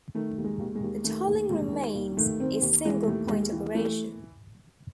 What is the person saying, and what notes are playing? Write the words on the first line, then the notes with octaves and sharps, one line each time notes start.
The tolling remains a single point operation.
D#3 A3
D#2
G#3
D#2
G#3
D#2
D#3 A3
D#2
D#2 G#3
D#3
D#2
D#3 A3
D#3 C4
D#2
E3 G#3
D#2 A3
D#2 G#3
E3
E3 A3